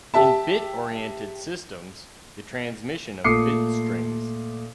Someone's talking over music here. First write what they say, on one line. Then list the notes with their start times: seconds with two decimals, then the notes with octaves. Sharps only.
In bit-oriented systems, the transmission of bit strings.
0.14 G4 E5 A5
3.24 A#2 A3 D6 D#6 C7 C#7